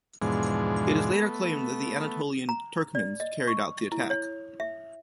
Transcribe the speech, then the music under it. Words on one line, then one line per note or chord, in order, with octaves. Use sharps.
It is later claimed that the Anatolian Turkmens carried out the attack.
E2 G#2 B2 F3 G#3 D4
A3 B3
A#5
D5
D#5
C#6
E4
C#5
E5